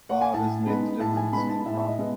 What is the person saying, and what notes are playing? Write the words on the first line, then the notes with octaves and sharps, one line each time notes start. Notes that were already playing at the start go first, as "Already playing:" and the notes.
Bob has made the difference in profit.
F#5
G#5
A2 A5
G#3 B3 D#4 B5
A2 A5
G#5
G#3 B3 D#4 B5
A5
A2 E5
E5
D#5
G#3 B3